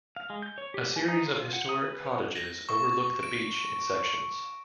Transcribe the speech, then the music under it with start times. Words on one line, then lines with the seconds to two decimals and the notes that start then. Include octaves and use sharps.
A series of historic cottages overlook the beach in sections.
0.16 F5
0.30 G#3
0.42 G6
0.58 C#5
0.74 G4
0.96 G#5
1.08 D#4
1.26 F4
1.53 F#5
1.69 D#6
1.82 B4
2.07 C#5
2.35 A#6
2.69 C#6
3.23 D7